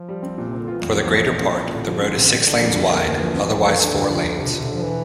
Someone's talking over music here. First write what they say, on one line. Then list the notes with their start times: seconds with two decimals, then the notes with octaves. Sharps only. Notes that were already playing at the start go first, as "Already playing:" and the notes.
For the greater part, the road is six lanes wide, otherwise four lanes.
Already playing: F3
0.09 G3
0.23 C4
0.38 A#2
0.49 C3 C4
0.60 D3
0.68 E3 F4
0.82 E2 F3
0.97 G3
1.12 E2
1.27 A#2
1.41 C4
1.57 A#2
1.71 A1 D3
1.87 F3
2.01 C4
2.16 A1
2.30 G3
2.46 D4
2.60 F2
2.75 G3
2.89 A#3
3.05 D2 E3
3.19 F3
3.34 C4
3.49 F2
3.64 A3
3.79 D4
3.93 D2 D3
4.01 A#2
4.09 C3 F3
4.24 D2 D3
4.38 E1 C3
4.50 A#2 D3
4.61 C3
4.67 E1
4.73 F3
4.83 E3